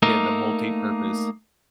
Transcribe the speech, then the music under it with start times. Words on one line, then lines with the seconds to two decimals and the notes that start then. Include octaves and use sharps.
Yeah, the multipurpose.
0.02 A3 A#3 D#4 A#4